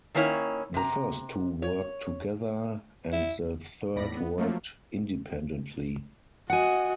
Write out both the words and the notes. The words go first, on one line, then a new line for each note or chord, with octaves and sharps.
The first two worked together, and the third worked independently.
D#3 A#3 C#4 E4 C#5
C3 A#5
C#5
E4
E2 A2 D5 B5 A#6
B3
F3 F#3 A3 A#3
F#4 D#5 F#5 G#5